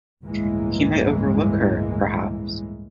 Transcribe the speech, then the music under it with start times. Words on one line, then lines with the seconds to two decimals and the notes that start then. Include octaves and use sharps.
He might overlook her, perhaps!
0.22 G1 C#2 A2 E3 G#3 A#3